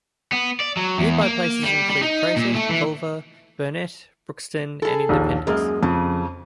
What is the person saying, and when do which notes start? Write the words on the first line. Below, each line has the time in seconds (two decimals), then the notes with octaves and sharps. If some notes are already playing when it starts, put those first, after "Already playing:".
Nearby places include Prosit, Culver, Burnett, Brookston, and Independence.
0.32 B3
0.60 D5
0.77 F#3
0.98 E2
1.22 A#3
1.64 G3
1.90 G3
2.02 D#4
2.36 A#2
2.54 A3
2.69 E3
4.82 G#4 A4
5.09 A#1 D#2
5.47 F#2 G#3 A#3 D#5
5.83 F2 C#3